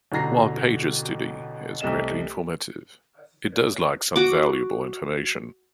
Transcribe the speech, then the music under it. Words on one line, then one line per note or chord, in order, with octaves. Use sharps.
While Pager's study is greatly informative, it does lack some valuable information.
A1 B2 D3 A#5 A#6 C7
C2 A3 D#5 E7
F#4 D6